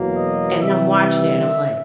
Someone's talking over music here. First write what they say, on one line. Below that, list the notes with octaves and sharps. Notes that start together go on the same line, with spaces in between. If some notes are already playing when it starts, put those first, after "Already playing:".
And I'm watching it, and I'm like
Already playing: E2 B2 F#3 A#3
D#5
C3 E3 G3 E5